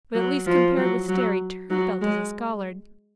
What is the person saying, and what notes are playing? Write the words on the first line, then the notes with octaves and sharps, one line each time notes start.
But at least, compared with Sterry, Turnfelt is a scholard!
F#3
F3
F#3
F#3
F#3
G#3